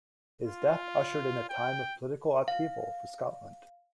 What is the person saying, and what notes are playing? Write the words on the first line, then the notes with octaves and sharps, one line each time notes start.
His death ushered in a time of political upheaval for Scotland.
F4
G5
F5